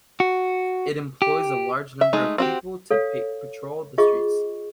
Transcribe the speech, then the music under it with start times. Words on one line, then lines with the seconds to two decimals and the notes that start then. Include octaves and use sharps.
It employs a large number of people to patrol the streets.
0.20 F#4
1.22 G4
2.01 E5
2.13 G#3 A3 D#4
2.38 C4 F#4 G4
2.91 A4 C#5 F5
3.98 F4 G#4 D#5 C#6